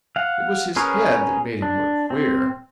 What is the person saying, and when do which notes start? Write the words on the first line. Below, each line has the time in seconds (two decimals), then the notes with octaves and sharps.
It was his head that made him look queer.
0.16 F5 F#5
0.76 C#4 G#4 A#4 B4 C#5
1.62 D4
2.10 C4